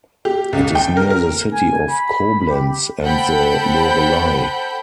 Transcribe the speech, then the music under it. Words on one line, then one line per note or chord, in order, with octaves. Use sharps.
It is near the city of Koblenz and the Lorelei.
G4
C#2
G5
A#4
A#4
G#5
B5
G4
A4 C5 F#5 G5 B5 G6